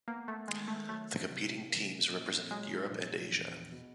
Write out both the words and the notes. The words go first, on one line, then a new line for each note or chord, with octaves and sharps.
The competing teams represented Europe and Asia.
A#3 B3
A3
D#3 G#3
A3
F#3 A3
C3
A#3
A#2
F#3 G#3
A#1
E2
B2